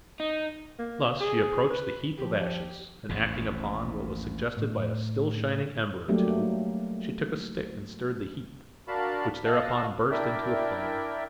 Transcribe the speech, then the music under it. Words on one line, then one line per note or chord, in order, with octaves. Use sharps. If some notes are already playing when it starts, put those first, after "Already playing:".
Thus she approached the heap of ashes, and acting upon what was suggested by a still shining ember or two, she took a stick and stirred the heap, which thereupon burst into a flame.
D#4
A#3
G#4
B4
F3 G4
A1 D#2 G#2
A2
F#3 G3 A3 A#3 D4 G4
D4 F#4 A#4 F5 A5 B5
D#5 F5 F#5 A5 E6
D4 E4 A#4 D5 E5 G5